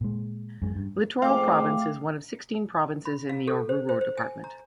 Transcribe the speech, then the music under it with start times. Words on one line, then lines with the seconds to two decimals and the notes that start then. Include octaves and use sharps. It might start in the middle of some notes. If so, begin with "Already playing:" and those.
Litoral Province is one of sixteen provinces in the Oruro Department.
0.01 A#2 G#3
0.62 F#2 G#3
0.76 G2
1.22 F2 G#2 A3 C5 F5 G5 D6
3.05 B5
3.29 F5
3.48 A4
3.69 C5
3.89 C5
4.01 C5
4.17 G#5
4.44 A#5